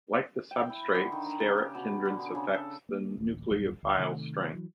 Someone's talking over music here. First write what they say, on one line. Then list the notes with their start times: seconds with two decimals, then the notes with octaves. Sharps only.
Like the substrate, steric hindrance affects the nucleophile's strength.
0.51 G5
0.70 E4
0.95 D3
1.12 D#3
1.26 A#5
1.40 C#3
1.58 G4
1.75 B2
2.05 D3
2.20 G#4
2.35 C#3
2.54 A4
2.89 A#3
3.18 D1 A1
3.51 D#1 A1 F#2 G3
3.83 D2
3.98 C3 D#3 F#3 A3
4.53 E3 F#3